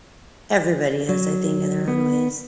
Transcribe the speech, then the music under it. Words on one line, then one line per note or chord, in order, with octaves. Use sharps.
Everybody has, I think, in their own ways.
F#3
B3